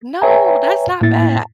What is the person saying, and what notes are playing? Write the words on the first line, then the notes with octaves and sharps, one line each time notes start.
No, that's not ba
B4 C#5 E5 G5 G#5 A#5
A2 A#3 E4 A6